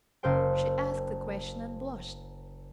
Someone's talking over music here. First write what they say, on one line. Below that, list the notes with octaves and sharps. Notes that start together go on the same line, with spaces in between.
She asked the question and blushed.
F#1 A#4 C5 G5